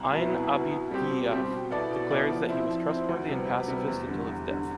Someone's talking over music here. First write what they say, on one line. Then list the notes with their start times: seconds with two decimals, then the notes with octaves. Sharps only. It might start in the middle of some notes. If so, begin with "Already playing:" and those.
Ibn Abi Dhiaf declares that he was trustworthy and pacifist until his death.
Already playing: C2
0.12 B2 B3 E4
0.33 C2
0.52 B2 B3 E4
0.72 B2
0.91 G3 C4 G4
1.11 B2
1.32 G3 C4 G4
1.51 B2
1.71 B3 E4 A4 D5
1.91 B2
2.10 B3 E4 A4 D5
2.29 F3
2.49 C4 E4
2.70 F3
2.89 C4 E4
3.09 D2
3.29 C3 G3 B3
3.49 D2
3.68 C3 G3 B3
3.88 E2
4.07 D3 G3
4.27 E2
4.47 D3 G3